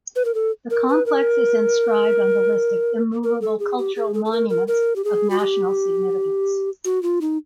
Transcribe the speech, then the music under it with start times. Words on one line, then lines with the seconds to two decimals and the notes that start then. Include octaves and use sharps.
The complex is inscribed on the list of Immovable Cultural Monuments of National Significance.
0.16 B4
0.25 A#4
0.35 A4
0.70 A#4
0.89 B4
1.06 A#4
3.24 A#4
3.42 A4
3.60 G#4
3.78 G4
3.96 G#4
4.14 A4
4.25 A4
4.32 A#4
4.50 A#4
4.68 A#4
4.96 G4
5.05 G#4
5.31 F#4
5.40 G4
6.85 F#4
7.03 F4
7.21 D#4